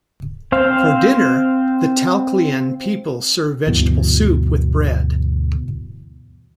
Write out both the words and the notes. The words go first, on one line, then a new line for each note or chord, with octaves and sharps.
For dinner, the Taquilean people serve vegetable soup with bread.
C4 C5 F5
D2 G2 B2 E3